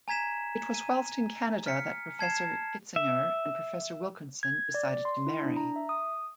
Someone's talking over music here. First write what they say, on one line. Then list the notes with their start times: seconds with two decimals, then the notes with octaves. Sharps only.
It was whilst in Canada that Professor Kitzinger and Professor Wilkinson decided to marry.
0.08 G#5 A#5 G#6 B6 E7
0.75 D#7
1.66 F6 B6 C#7
2.19 A5 G#6 C7 E7
2.96 E5
4.43 G#6
4.74 D5
5.05 C6
5.27 E4
5.44 D4
5.57 A#5
5.76 E5
5.89 D#6